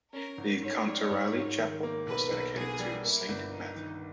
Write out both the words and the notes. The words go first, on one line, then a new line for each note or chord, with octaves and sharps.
The Contarelli Chapel was dedicated to Saint Matthew.
C#4 A#4
G#1
G#2 C#5
G3
G#2
G#2
D#3
A#3
B1 B4
B1
B2 G#4
G3
A#3 E4
G1
G2 D#4
D#3